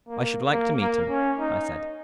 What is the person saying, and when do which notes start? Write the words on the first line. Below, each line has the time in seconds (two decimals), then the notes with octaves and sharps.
"I should like to meet him," I said.
0.09 A#3
0.52 A#3
0.80 A#3
1.09 C#4
1.39 D#4